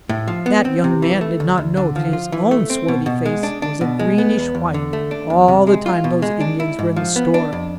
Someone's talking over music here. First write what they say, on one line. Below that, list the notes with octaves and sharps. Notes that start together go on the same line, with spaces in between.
That young man did not know that his own swarthy face was a greenish white all the time those Indians were in the store!
A2
F3
B3
C4
C3
E3
A3
D2
D2
D3
F3
F4
E3
A3
C4
B2
B2
G#3
D4
D4
B2
G#3
B3
E2
E2
D3
A3
D4
E2
C3
G#3
F4
B2
G#3
D4
E4
G#2
F3
B3
D4
F2